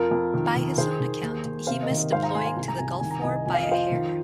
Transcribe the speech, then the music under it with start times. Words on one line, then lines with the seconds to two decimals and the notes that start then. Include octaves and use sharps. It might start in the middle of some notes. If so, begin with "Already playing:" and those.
By his own account, he missed deploying to the Gulf War by a hair.
Already playing: F2 F4 A#4
0.11 F2
0.34 D#3
0.56 D#3
0.77 D#3 G#4 C5
1.00 D#3
1.22 D#2
1.45 D#2
1.67 C3 C5 F5
1.82 A#4 D#5
1.90 D#3
1.97 A#4 D#5
2.12 G#2 C5 F5
2.23 F5 A#5
2.34 G#2 G#5 C6
2.45 F5 A#5
2.57 C2 G#5
2.68 A#5
2.78 C2 G#5
2.90 A#5
2.99 D#3 G#5
3.11 A#5
3.22 C2 D#5 G#5
3.46 F2 G#5
3.54 F5
3.63 D#5
3.69 F3 C5 F5
3.92 D#3